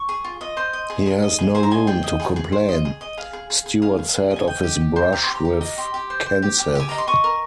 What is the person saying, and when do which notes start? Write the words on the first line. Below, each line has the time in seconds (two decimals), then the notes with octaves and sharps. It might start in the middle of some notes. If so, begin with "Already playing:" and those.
"He has no room to complain," Stewart said of his brush with Kenseth.
Already playing: C#6
0.09 G#4
0.24 F4
0.41 D#5
0.57 C5 C6
0.73 D#5
0.90 G#4
1.06 G#4
1.22 D#5
1.39 G#4
1.55 C5 G#5
1.63 A#5
1.71 D#5 G#5
1.87 G#4 G5
2.04 D#5
2.20 G#4
2.36 G#4
2.52 C5
2.68 D#5
2.85 G#4
3.01 D#5
3.18 G#4 F5
3.33 G#4
3.50 G#4
3.66 G#4
3.82 G#4 F5
3.99 G#4
4.15 G#4
4.31 D#5
4.36 G#5
4.47 D#5 G5
4.63 G4
4.80 G4
4.96 C5
5.12 G4 A#5
5.24 G4 C6
5.35 A#5
5.45 G4
5.61 D#5
5.78 G4 C6
5.94 G4
6.10 C5
6.26 C5
6.42 G4
6.59 G4
6.75 G4 G#5
6.89 D#5 A#5
6.98 C6
7.07 D#5 C#6
7.24 A#4